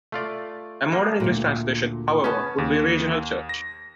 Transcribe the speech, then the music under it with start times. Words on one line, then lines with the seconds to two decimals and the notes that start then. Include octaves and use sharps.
A modern English translation, however, would be "regional church".
0.12 A3 F4 D5
0.92 A#3
1.20 D2 A#2
2.24 B3 C#4 B4 A5
2.58 D#2
3.49 A#6